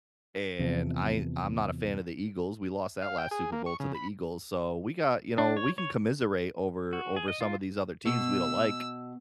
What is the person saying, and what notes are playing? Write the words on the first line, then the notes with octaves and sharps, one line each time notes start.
and I I'm not a fan of the Eagles, we lost that last Super Bowl to the Eagles, so we got you know, we can commiserate over over some of these other teams we don't like.
E2 C3 F3
F5
G5
G#4
A#3
C#6
C#3
B5
D4
C#5
C#5
F#4
G#4
D#5
F4
B2 E6